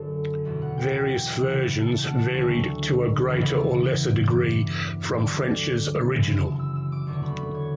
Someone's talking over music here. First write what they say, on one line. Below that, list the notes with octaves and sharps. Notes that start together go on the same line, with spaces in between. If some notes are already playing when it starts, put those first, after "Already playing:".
Various versions varied to a greater or lesser degree from French's original.
Already playing: F#2 D3 F#3 A4
E2 B2 F#3 B4
F#5
G5
G5
E2 C#3 E3
A5
F#5
A5
D2 D3 F#3 C#6
E2 C#3 E3 B5
G2 E3 D6
D2 D3 F#3 D6
F#2 C#3 E3
E6
E6
D6
E2 D3 F#3 C#6
B5
B5
C#5